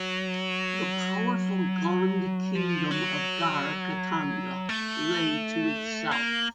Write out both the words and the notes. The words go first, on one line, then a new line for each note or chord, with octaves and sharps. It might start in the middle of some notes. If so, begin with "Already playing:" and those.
The powerful Gond kingdom of Garha Katanga lay to its south.
Already playing: F#3
F3
F#3
A3
A#3